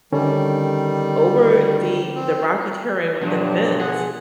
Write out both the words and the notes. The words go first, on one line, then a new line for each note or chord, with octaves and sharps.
over the the rocky terrain with the fins,
D3 D#3 G3 C#4 A4
C4
G2 B2 F3 F#3 D4
G#4 F#5